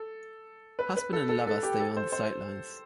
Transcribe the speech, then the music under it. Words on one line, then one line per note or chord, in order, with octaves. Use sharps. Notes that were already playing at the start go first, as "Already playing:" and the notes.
Husband and lover stay on the sidelines.
Already playing: A4
B4
B4
A4
A4
A4
G4
A4
C5
C5